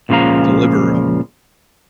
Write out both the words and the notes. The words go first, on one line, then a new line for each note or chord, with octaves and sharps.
deliver 'em.
C#2 A#2 C#3 F3 F5 A#5